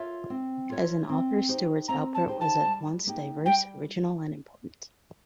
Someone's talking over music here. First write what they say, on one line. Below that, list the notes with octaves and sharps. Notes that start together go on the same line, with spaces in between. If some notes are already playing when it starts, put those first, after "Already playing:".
As an author, Stewart's output was at once diverse, original, and important.
Already playing: F4 A#4 C#5 E5
C4
F4 A#4 C#5 E5
C4
D#4 G4 C5
C4 A#5
A5
D#4 G4 C5
A5
G3
A#3 D#4 G4
G3 G5